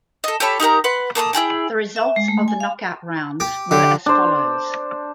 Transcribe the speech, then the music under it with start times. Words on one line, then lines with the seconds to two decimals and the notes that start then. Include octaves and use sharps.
The results of the knockout rounds were as follows.
0.24 A4 D#5
0.40 G4 A4 C#5 B5
0.60 D#4 G4 A#4 A#5
0.84 B4 F#5 C6
1.15 A#3 A4 C6 D#6
1.33 E4 F4 G#4 G5
1.96 E5
2.16 G#3
2.28 A3
2.48 G#5
2.60 F5
3.40 G4
3.71 D3 G4
4.06 D4 C5